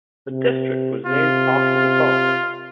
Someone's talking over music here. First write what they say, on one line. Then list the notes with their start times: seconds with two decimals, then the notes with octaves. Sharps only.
The district was named after the park.
0.29 C3
1.06 C3 F4